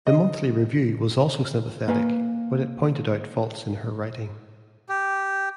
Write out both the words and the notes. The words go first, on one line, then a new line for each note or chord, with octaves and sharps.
The "Monthly Review" was also sympathetic, but it pointed out faults in her writing.
D#5
A#3 B4 G#5
G4